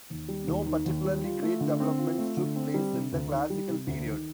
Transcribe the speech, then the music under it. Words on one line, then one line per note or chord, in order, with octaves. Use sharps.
No particularly great developments took place in the Classical Period.
D#2
G3
D#2
D#3
D#2
G3
F4
A3
D3
C4
F4
A3
D3
C4
G3
C3
D2
D#3
G3
C3
D2
D#3